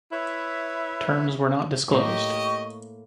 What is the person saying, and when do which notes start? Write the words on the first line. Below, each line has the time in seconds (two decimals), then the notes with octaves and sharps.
Terms were not disclosed.
0.12 E4 B4 C#5 E5
1.91 A2 A#3 G4 D#5 C#6